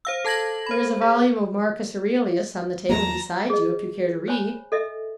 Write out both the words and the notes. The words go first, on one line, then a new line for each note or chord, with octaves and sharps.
"There is a volume of Marcus Aurelius on the table beside you, if you care to read."
C5 F5 E6
A4 A5 G#6 A#6 F#7
C5 B5
G#4
E2 F#3 A#3 A5 A#5
G#4 D#5
C5 C#5 G#5 B5
A4 D#5 E5